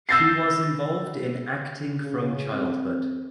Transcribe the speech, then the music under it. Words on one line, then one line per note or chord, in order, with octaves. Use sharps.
She was involved in acting from childhood.
E6 G6 A6 A#6 C7
C#3
C4